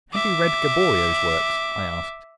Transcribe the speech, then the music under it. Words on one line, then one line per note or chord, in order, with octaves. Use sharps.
"Have you read Gaboriau's works?" I asked.
E5 D6